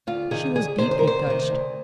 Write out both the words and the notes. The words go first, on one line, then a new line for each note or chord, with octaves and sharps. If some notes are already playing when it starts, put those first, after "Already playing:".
She was deeply touched.
D2 F4
C3 D#3 G#4
D2 G#4
C3 D#3 C5
C5
A#4
D2 C5
C3 D#3
D2